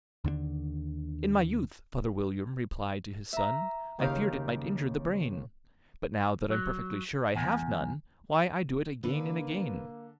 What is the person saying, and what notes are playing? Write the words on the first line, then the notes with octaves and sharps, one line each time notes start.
'In my youth,' Father William replied to his son, 'I feared it might injure the brain; But, now that I'm perfectly sure I have none, Why, I do it again and again.'
D#2 D3 G3 D4
E5 A#5
D#2 C#3 D#4 G4 F5
F#3
E2
D3 A#3 D4 B4